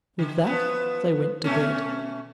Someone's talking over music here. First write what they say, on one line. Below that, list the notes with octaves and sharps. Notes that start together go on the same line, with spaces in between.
With that they went to bed.
D3
F3 B3
B2 A3 C#4